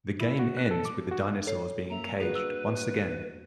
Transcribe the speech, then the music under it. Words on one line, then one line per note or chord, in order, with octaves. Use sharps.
The game ends with the dinosaurs being caged once again.
E4
F#4
F#6
A4
D6
F#4
A4 C#5 C7
A#3 E5 A#5
D3 G3 F#4 G#4 B4
E6